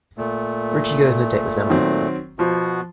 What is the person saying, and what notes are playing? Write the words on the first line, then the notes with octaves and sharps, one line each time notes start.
Richie goes on a date with Emma.
A#2 A3
D#3 F#3 C4
B2 F3 B3 F4 F#4 C5